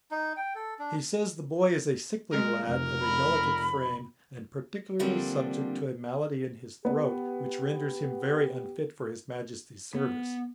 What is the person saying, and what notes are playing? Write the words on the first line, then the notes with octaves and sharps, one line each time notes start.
He says the boy is a sickly lad, of a delicate frame, and particularly subject to a malady in his throat, which renders him very unfit for his Majesty's service.
D#4
G5
A4
D4
G#3 A#4
F1 A#4
B5
D3 F3 G3 A#3 C4 D4
B3 G4
B3